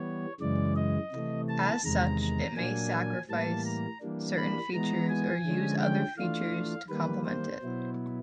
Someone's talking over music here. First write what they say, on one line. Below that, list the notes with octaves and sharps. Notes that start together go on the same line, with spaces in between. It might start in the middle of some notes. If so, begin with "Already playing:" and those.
As such, it may sacrifice certain features, or use other features to complement it.
Already playing: E3 G3 B3 C#5
F#2 C#3 E3 G#3 D5
D#5
C3 E3 A3
A5
E2 C3 D#3 G#3 A#5
A#5
A#2 F#3 A#3 D4 G#5
A2 E3 G3 A#3 A5
A#5
E3 G3 A#3 D4
B5
E3 G#3 B3 A#5
G#5
D3 F3 G#3 C#4
G5
E3 A3 D4 F4 F5
D#3 G3 A#3 B4
C5
B2 F#3 B3 E4